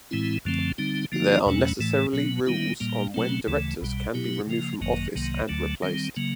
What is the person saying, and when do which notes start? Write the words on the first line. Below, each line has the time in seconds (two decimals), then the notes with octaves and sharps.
There are necessarily rules on when directors can be removed from office and replaced.
0.11 A2 E3 G#3 C4 E4
0.45 F#2 D3 F3 A3 C4
0.78 D3 G3 C4 D#4
1.12 D3 F3 A#3 D#4 F#4
1.46 E2 B2 F#3 A3 C#4
1.80 A2 E3 A3
2.13 B2 F#3 B3
2.46 D#3 G3 B3 E4
2.80 A#2 G3 A#3
3.14 B2 F#3 A3 C4
3.47 D2 C#3 E3 A3
3.81 B1 B2 G3
4.14 B2 F#3 B3 E4 G4
4.47 C#3 F3 A#3
4.81 G#1 F#2 D#3 F#3 A#3
5.15 C2 C3 D#3 F#3 A#3
5.48 D2 D3 F#3 A3
5.82 D#3 G3 C4
6.17 C#3 F#3 A#3